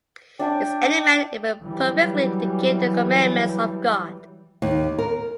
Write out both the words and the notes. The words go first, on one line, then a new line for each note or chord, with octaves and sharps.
Is any man able perfectly to keep the commandments of God?
D4 E5 G5 A5
E3 F#3 G3
D#2
A#4